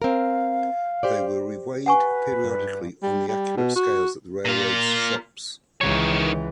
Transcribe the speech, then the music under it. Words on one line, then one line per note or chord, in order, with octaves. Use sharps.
They were reweighed periodically on accurate scales at the railroad's shops.
C4 A#4 F5
G4 C5 D5
B4 F#5 G#5 C#6
G2
G3
G3
B2
F#4
A#2 F4
C#2 D#3 E3 C#5